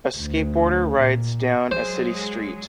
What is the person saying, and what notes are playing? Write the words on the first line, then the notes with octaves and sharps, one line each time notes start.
A skateboarder rides down a city street.
D2
A#2
F#3 G#3 G#4 C5